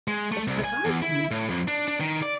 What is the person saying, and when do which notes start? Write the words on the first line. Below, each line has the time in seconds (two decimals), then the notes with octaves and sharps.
It's bizarre to me.
0.08 G#3
0.32 A3
0.47 C2
0.64 G#5
0.85 E2
1.02 E4
1.31 A2
1.50 F2
1.68 D4
1.88 D4
2.00 D#3
2.22 D5